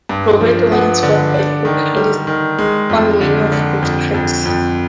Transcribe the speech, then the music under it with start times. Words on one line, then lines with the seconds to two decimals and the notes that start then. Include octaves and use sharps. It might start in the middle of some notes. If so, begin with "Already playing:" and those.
Robert Owens was the vocalist on many of those tracks.
0.09 G2
0.41 F3
0.72 B3
1.03 D3
1.34 D4
1.65 D#3
1.97 G3
2.27 D#3
2.59 G#3
2.90 F2
3.21 D3
3.52 D3
3.82 F2
4.14 F2
4.45 F2